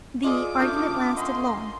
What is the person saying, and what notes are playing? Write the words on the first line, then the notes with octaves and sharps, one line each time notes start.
The argument lasted long.
F4 G#4 D5 D#5 D6 D#6
A3 C#4 D4 F4 D#6 F6 G6
A#3 D#5 F#5 G#5 C6